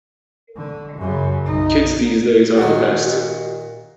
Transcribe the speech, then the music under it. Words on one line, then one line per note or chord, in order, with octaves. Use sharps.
Kids these days are the best.
D3
F#2 C#3
B1 D#4
A#2 D#3 F#4